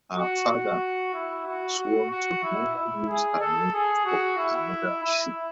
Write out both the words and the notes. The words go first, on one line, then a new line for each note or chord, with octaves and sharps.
Her father swore to never use her name for another ship.
F#4
F#4
E4
F#4
F#4
F#4
E4
E4
G#4
A4
G#4
F#4
E4
E4